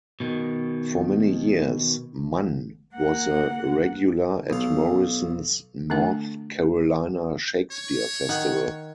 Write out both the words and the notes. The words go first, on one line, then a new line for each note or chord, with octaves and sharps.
For many years Mann was a regular at Morrison's North Carolina Shakespeare Festival.
B2 D#3
A#3 F#5
B1 F5
D3 A3 D4 F#5
C#5
D#3 F#5